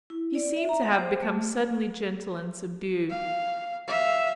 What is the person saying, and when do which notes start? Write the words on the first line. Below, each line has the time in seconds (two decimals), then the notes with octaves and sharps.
He seemed to have become suddenly gentle and subdued.
0.10 E4
0.35 D5
0.56 E5
0.69 A#5
0.83 F#5
0.98 C5
1.22 A3
3.10 F5
3.87 E5 F5